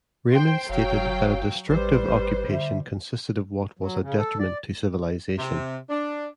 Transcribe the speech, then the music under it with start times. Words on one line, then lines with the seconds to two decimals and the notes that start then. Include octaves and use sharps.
Raymond stated that a destructive occupation consisted of what was a detriment to civilization.
0.31 C5 G5 C6
0.70 F#1 F#3 C#5 F5 G5
1.69 A1 G3 B4 C5
2.09 G#1
2.51 D3 E5
3.77 F#3
4.02 C#3
4.18 A4
4.39 D5
5.38 C3
5.90 D4